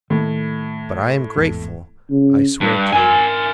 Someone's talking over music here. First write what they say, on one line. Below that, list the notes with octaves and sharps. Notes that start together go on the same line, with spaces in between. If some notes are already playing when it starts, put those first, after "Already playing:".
"But I am grateful, I swear to you."
A2 D#3 A#3
G#1 E2
C#3
G2
A#4 G#5